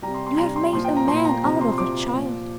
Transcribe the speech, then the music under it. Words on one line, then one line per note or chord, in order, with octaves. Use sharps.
You have made a man out of a child.
C3 G3 A#5
C6
C6
C3 G3 A#5
C6
A#2 F3 C6
G5
A#5
A#2 F3 C6
A#5
C3 F3 A#5
C6
C6
C3 F3 D6
A#2 F3